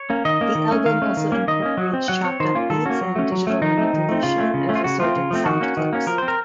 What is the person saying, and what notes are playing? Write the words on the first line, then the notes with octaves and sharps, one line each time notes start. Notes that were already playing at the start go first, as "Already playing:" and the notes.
The album also incorporates chopped up beats and digital manipulation of assorted sound clips.
Already playing: C#5
A#3 C#4
D#3 D#5
A#3 C#4
D#3
A3 C#4
D#3 F5
A3 C#4
D#3
A#3 C#4
D#3 D#5
A#3 C#4
F#3
C4
F#3 F#5
C4 C#5
D#3 C5
A#3 C#4 F4
D#3 A4
A#3 C#4 F#4
F#3
A3 C#4
F#3
A3 C#4
D#3 D#4
A3 C4
D#3
A3 C4
C#3 F4
A3 C#4
C#3
A3 C#4
F4
C#3 F#4
F3 A3 C4 F4
C#3
F3 A3 C4
D#3 F#4
A#3 C#4
D#3
A#3 C#4
F3 A#4
C4 C5
A#4